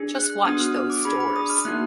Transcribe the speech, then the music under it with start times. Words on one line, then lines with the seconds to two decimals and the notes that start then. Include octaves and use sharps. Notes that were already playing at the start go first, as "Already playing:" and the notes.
Just watch those doors!
Already playing: D4 G#4
0.15 F#6
0.30 F#6
0.45 B3 D4 F#4 D#6
0.60 F6
0.76 F6
0.90 D6
1.05 D4 G#4 B5
1.20 B5
1.36 D#6
1.50 F6
1.65 A#3 D#4 F#4 F#6